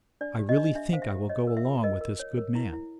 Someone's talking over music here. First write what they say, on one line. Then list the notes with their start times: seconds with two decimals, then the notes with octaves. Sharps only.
I really think I will go along with this good man.
0.21 D4 D5
0.39 G4
0.49 D#5
0.57 D4
0.64 D#5
0.75 D4 E5
0.93 C5 F5
1.02 E5
1.11 G4
1.29 C#5 D#5
1.47 A#4
1.57 E5
1.65 F4
1.83 A#4 D#5
2.01 A#4
2.19 C#5
2.37 A#4
2.55 E4
2.73 E4